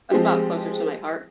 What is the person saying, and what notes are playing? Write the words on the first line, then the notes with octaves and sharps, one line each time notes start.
a spot closer to my heart.
F3 G#3 C4 G4